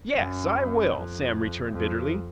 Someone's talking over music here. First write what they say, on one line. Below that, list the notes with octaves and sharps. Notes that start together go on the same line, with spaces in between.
"YES, I will!" Sam returned bitterly.
F#2
F2
F2